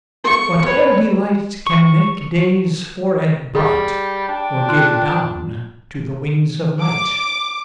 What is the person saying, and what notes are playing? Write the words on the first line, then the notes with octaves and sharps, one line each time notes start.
Whate'er delight Can make day's forehead bright Or give down to the wings of night.
C#6
B4 C#5
C#6
G3 G#4
D4 G5
F4 C6 F#6
D6